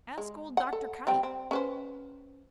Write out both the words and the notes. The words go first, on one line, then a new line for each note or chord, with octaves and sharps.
Ask old Dr. Kite.
G#3
F#5
A4
G3 C4 G5
C4
C#4 B4 C5